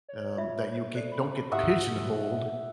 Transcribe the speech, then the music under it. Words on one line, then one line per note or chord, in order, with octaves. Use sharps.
um, that you get don't get pigeonholed
C#5
F4 E5 B5
A4 C5 D5
B5
G#2 E4 G4 E5 F#5 D#6